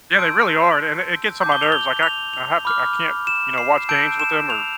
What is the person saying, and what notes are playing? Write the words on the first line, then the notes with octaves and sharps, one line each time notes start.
Yeah, they really are, and it it gets on my nerves, like, I I have to I can't, you know, watch games with them or
A5 C6 E6 G6 D7
A5 D6 G6
G7
F7
G7
F7
F7
B5 D6 F6
E7
C7
A5 E6 G6 D7
E7
F7